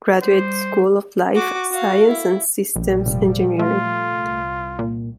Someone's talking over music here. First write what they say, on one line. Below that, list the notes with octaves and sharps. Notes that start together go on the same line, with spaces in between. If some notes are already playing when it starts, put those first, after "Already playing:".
Graduate School of Life Science and Systems Engineering.
G3 C5
F#4 D6
F#4 F5
E4
A#1 A#2 F3 G3
F1
A3 F4
C2
A#2